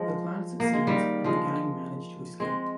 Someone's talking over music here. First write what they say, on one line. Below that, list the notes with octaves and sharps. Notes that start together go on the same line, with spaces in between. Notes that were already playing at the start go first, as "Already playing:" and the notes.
The plan succeeds, and the gang manage to escape.
Already playing: F3 G#3
A#3
G#3
D#3 G3
F3 G#3
G#3 C4